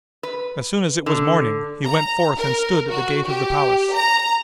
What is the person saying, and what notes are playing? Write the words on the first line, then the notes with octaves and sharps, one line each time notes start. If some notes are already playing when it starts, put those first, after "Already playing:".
As soon as it was morning, he went forth and stood at the gate of the palace.
B4
D3
A#5
A#4
F#4
G4
A#5